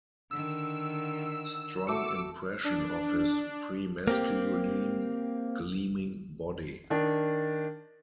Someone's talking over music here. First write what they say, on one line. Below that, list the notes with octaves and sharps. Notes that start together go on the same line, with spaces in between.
Strong impression of his premasculine, gleaming body.
D3 D#3 E6
A3 F#4 C5 D6 E6 C#7
D4
A#3 C4 G4
D#3 D4